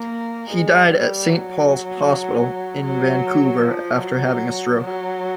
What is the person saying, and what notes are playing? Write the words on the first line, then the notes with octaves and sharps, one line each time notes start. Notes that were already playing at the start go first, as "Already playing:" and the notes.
He died at Saint Paul's Hospital in Vancouver after having a stroke.
Already playing: A#3
G#3
G3
F#3
F#3
F3
F#3
F#3